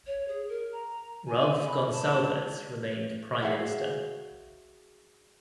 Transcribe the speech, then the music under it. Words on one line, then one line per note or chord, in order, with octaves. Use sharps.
Ralph Gonsalves remained Prime Minister.
C#5
G#4
A#4
A#5
G#5
B5
A5
F#4 G#4 E5 F5